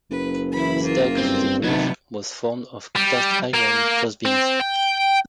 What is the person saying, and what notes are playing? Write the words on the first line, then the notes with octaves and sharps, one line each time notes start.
The deck of the bridge was formed of cast iron crossbeams.
F#1 B4
E3 E4 B5
A#3 F4
G2 C4
C3 F#3 A3 B3 D#4
G3
A#3
C4
G5